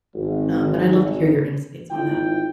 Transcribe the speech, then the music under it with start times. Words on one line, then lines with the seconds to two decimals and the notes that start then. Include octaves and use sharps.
um, but I'd love to hear your insights on that.
0.15 G#1
1.91 G#1 G#2 E4 F4 G5